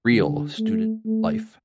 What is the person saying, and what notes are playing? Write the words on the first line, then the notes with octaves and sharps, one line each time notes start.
Real student life.
D3
A3
A3